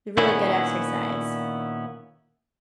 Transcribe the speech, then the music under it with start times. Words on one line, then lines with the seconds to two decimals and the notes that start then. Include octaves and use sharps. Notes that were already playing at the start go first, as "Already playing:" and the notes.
Really good exercise.
0.17 A#2 D#3 B3 C#4 E4